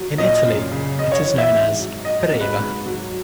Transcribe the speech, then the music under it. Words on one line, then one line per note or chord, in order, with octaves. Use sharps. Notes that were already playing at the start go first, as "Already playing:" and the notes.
In Italy it is known as Breva.
Already playing: F#3
A#2 D#5
F#2
C#3
F#2 D#5
C#5
E3
E5
G#2
F#3
F#3 D#5
D#5
G#2
B4
G#2
F#3